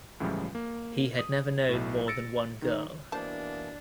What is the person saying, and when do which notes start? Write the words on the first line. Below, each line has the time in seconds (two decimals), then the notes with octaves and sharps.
He had never known more than one girl.
0.20 C#2 A2 C#3 E3 F3 G3
0.55 A#3
1.19 D#6
1.69 B1 A2
2.08 E6 A6 A#6 C#7 D7
2.62 D#3 D#4
3.12 B2 E3 A#3 D4 C5 A5